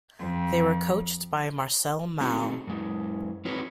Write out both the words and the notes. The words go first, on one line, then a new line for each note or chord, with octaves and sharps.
They were coached by Marcel Mao.
F2
A3 C4 D#4 F#4
F#2 G#3
C4 D#4 F4 F#4 B4 C#5